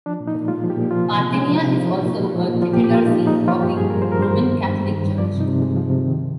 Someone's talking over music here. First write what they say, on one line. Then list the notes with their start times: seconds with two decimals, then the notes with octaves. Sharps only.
Parthenia is also a titular see of the Roman Catholic Church.
0.06 F3 D4
0.20 A#2
0.27 D#4
0.35 A#2
0.48 G#3 F4
0.64 F3
0.70 G4
0.77 A#2
0.91 F3 F4
1.05 C3
1.19 C3
1.34 G#3 D4
1.49 F3
1.55 D#4
1.63 C3
1.77 F3
1.91 A#2
2.06 A#2
2.20 G#3
2.34 F3
2.48 A#2
2.62 F3 F4
2.73 G4
2.77 A#2
2.84 G4
2.91 A#2 F4
3.05 G#3 D#4
3.19 F3
3.27 D#4
3.34 A#2
3.48 F3 F4
3.62 G2 G4
3.76 G2 G#4
3.90 G#3 A#4
4.02 C5
4.05 F3
4.12 A#4
4.19 G2 C5
4.34 D#3
4.47 G2
4.62 G2
4.75 G3
4.91 D#3
5.05 G2
5.18 F3 D5
5.33 C3
5.40 D#4
5.48 C3
5.62 G#3
5.76 F3
5.90 C3
6.04 D#3